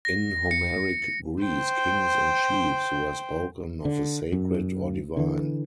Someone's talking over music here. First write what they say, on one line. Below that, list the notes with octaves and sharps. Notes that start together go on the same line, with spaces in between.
In Homeric Greece kings and chiefs were spoken of as sacred or divine.
A#6
C#7
C5 G5
D3
F#2
D3 E3